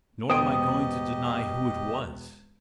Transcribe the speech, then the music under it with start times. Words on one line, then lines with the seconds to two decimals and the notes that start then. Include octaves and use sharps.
Nor am I going to deny who it was.
0.30 E1 B3 G4 C5 D#5 G5 D#6